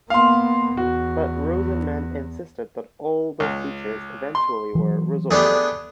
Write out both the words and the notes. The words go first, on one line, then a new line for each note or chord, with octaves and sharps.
But Rosenman insisted that all the speeches eventually were Roosevelt's.
A#3 B3 F5 C6
E2 F#4
C#2
C6
E3 F#3
A3 B3 D4 G4 G#4